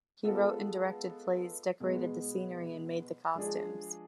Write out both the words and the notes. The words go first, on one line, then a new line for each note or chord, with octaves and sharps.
He wrote and directed plays, decorated the scenery and made the costumes.
G#3 B3 F4 A4
B2 G#3 B3
F3 G#3 D4 G#4